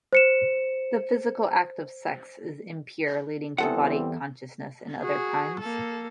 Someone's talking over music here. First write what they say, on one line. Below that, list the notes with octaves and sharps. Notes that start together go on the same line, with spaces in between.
The physical act of sex is "impure", leading to body-consciousness and other crimes.
C5 C#7 E7
E2 E3 G3 C4 A4 F#5
F#4 G#4
A#3 A4